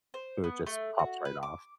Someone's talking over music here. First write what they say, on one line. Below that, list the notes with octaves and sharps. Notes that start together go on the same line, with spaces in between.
So it just pops right off.
C5
B3
A3
F#4
B4
D6